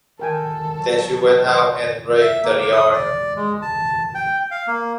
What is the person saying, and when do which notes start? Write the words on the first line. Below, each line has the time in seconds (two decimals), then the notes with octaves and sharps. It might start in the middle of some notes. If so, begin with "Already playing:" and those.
Then she went out and raked the yard.
0.20 D#3 A4 A#4 G5 G#5
0.78 F#3
1.47 C5 D#5
2.21 E5
2.44 A#3
2.59 D6
2.72 D#6
2.93 D5
3.36 G#3
3.62 A5
4.15 G5
4.51 F5
4.68 A#3